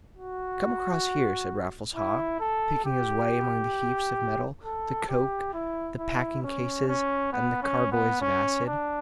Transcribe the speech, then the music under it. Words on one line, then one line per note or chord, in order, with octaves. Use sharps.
"Come across here," said Raffles Haw, picking his way among the heaps of metal, the coke, the packing-cases, and the carboys of acid.
F#4
E4
A4
G4
A4
G4
E4
E4
C#4
C#4
B3
C#4
B3
C#4
D4